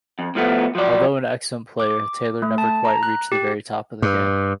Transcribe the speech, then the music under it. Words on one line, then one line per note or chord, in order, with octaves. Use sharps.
Although an excellent player, Taylor never quite reached the very top of the game.
F2
A2 F3 A3 B3
F3 F#3 D5
D6
A3
A5
A#5
F#6
G4
G2